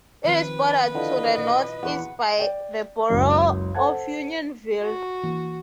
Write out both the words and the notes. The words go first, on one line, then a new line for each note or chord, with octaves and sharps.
It is bordered to the northeast by the borough of Unionville.
D#3 F3 C4 B4
D3 E4 F4 D#5 F5
A#2
E2 F#5
D5 G5
F#1 C#2 F#2
A4 C5 F#5 A5 G#6
F#4
E3 A#3